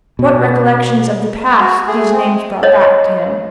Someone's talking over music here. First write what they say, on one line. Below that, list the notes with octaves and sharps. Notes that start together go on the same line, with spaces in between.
What recollections of the past these names brought back to him!
B2
F#4
A3 G#4
C4
C#5 D#5